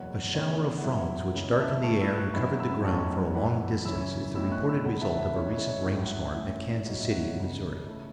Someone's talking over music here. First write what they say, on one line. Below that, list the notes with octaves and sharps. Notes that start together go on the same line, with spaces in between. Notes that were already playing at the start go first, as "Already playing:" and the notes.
"A shower of frogs which darkened the air and covered the ground for a long distance is the reported result of a recent rainstorm at Kansas City, Mo."
Already playing: F#1 E2 B2 F#3 C#5 F#5
E2 C#3 A3 E4 C#5
F#5
F#2 F#3 B3 E4 E5
C#2 C#3 E3 C#4
E5 A5
A2 A3 E4 A5 C#6
B5 E6
C#6 F#6
F#1 F#2 F#3 C#4 E4 B5 E6
B5 E6
B1 A2 F#3 A3 C#4 A5 C#6
F#1 F#2 E3 F#5 B5
F#2 C#3 E3 C#4 E4 B5 E6
B1 A2 A3 C#4 E4 B5 E6
C#6 F#6
B5 E6
E1 E2 C#3 F#5 B5
E5 A5
E5
C#2 C#3 E3 C#4 C#5
E5
C#5
A1 A2 F#3 C#4 E4 C#5
F#5
E5
A1 A2 E3 C#4 E4
C#2 B2 F#3 C#5
E5
C#5 F#5
E1 E2 C#3
C#3 A3 E4